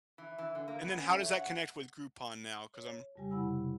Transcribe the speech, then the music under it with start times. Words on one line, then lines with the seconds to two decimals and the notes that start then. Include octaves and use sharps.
and then how does that connect with Groupon now, 'cause I'm
0.18 E3
0.38 E3
0.55 D3
0.68 A#3
0.81 B3
0.96 C#4
1.11 A3
1.25 C#5
1.37 F#5
2.74 C#5
3.16 F2 C#3 G3 G4 G#5
3.31 C3 E4 F#5 G#5 B5 E6